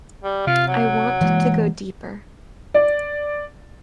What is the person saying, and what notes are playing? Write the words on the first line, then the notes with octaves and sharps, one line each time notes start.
I want to go deeper.
G3
C3 F4
F#3
E3 G#3 A#3
D5